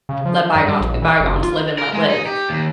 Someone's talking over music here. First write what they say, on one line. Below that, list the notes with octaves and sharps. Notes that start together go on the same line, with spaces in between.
let bygones be bygones? Live and let live."
C#3
F3
G2
G3
A#1
E3
F#1
F4
A#4
G#3
D#4
G4
D#2